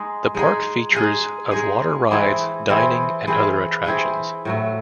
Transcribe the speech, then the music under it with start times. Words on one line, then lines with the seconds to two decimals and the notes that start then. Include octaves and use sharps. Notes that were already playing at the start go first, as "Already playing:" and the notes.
The park features of water rides, dining, and other attractions.
Already playing: G#3 D#4 G#4
0.35 G#3 D#4 G#4
0.93 G#3 D#4 G#4
1.51 G#3 D#4 G#4
2.10 E3 C4 E4 G#4
2.69 E3 C4 E4 G#4
3.27 E3 C4 E4 G#4
3.86 E3 C4 E4 G#4
4.45 A2 F#3 A3